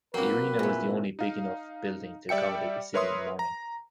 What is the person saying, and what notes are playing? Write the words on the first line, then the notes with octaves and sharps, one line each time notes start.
The arena was the only big enough building to accommodate the city in mourning.
F#3 A#3 C4 A#4 B4 G5
A#2 E3
D#4 F5
G3 D5 E5 G5 C#7
A#4 B4 C#5 E5 C6 D#6
A#5